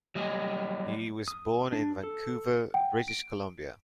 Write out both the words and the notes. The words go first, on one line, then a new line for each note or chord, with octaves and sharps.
He was born in Vancouver, British Columbia.
F#3 G3 D#5
D#6
D4
A4
F#5 G5
D7